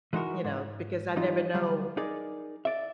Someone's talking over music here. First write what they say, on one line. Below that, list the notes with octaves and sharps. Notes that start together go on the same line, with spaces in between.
you know, because I never know
E3 G#3 D#4 F#4 A#4
G#2
E3 G3 D#4 F4
D2 F#3 G3
D#4 G#4 A#4 D5
D5 E5